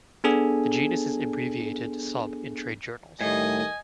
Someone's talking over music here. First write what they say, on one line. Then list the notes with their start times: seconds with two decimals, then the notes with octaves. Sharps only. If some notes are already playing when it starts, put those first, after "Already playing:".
The genus is abbreviated Sob in trade journals.
0.24 B3 D4 G#4 A4 G#5
3.21 A2 D#3 G3 A3 D#5 G#5